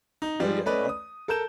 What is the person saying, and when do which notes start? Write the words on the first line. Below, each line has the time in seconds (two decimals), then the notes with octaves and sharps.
but yeah, I don't
0.22 D#4
0.40 F3 G3 G#3
0.66 A3 C#4 B4 D5 D#5
0.89 D#6
1.28 A4 A#4 A5 G6 E7